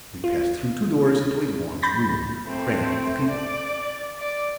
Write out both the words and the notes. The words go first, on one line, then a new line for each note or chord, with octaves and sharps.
We passed through two doors into a long room, crammed with people.
F4
B5 G6 A6 A#6
A3 C4
D5
D5